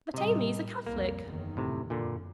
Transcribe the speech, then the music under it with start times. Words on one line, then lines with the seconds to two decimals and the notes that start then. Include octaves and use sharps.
"But Aimee is a Catholic?"
0.14 A2 C3 G3 D#5
0.86 C2 F2 A#3
1.22 F#1 E2 D#3
1.57 A2 C3
1.90 F#2 A#2 D3